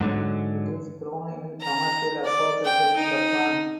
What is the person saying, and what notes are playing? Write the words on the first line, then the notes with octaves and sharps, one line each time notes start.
It is grown in commercial aquaculture in Japan.
G#2 D3 F#3
A#5
D5
G5
D#4